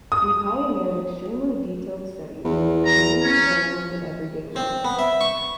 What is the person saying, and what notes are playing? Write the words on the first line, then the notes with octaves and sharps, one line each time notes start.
He pioneered extremely detailed studies of the way people use language in everyday life.
D#6
E2
A#5
C#4
C4
B3
E5
C#6